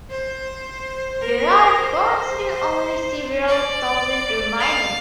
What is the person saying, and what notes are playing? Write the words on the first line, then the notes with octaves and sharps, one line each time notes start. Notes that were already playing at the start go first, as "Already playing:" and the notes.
There are currently only several thousand remaining.
C5
A#4
C5
D5
F5